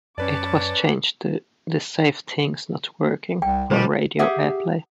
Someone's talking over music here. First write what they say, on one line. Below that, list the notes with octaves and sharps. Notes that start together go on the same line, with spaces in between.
It was changed to "This safe thing's not working" for radio airplay.
F#2 C#4 B4 C#5 D5 A5 D6
C2 G5
B2 G3 C5
G4 G#4 E5 F#5